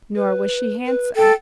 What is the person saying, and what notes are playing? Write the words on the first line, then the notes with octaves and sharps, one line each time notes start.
Nor was she handsome.
B4
B4
A4 G5